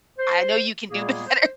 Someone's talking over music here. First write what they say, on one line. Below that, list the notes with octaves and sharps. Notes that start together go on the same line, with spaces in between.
I know you can do better."
C5
A#2 G3 G#3 A#3 B3 G#4
C5